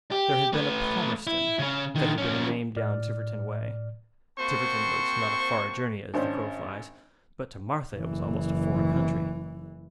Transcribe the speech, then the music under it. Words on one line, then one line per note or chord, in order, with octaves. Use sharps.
There had been a Palmerston, that had been a name down Tiverton way; Tiverton was not a far journey as the crow flies, but to Martha it was almost a foreign country.
G4
A3 B4
E4
C#3 C#4
D3 D#3
F3 C#4
A2 D5 F6
A#3 C4 F#4 C5 A5 C#6
G#1 C#4 D4 C5
F#1 E3